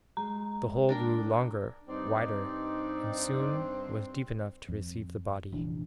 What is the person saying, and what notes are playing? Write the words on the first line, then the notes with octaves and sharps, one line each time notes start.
The hole grew longer, wider, and soon was deep enough to receive the body.
G#3 A#5
D4 A#4 G5
G2 C4 D#4 D5
F2
F1 A#1 E3 D4